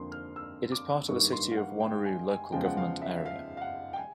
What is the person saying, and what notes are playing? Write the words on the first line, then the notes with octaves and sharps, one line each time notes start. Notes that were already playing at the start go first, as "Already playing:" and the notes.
It is part of the City of Wanneroo local government area.
Already playing: F2 D3 F3 A#3 C6
F6
E6
D6
G2 D#3 G3 A#3 D#4 C#6
C6
F5
F#5
G5
G#5
G#5
E2 C#3 F3 G#3 G5
F#5
F5
E5
F5
E5
F5
F5
F#5
G5
G#5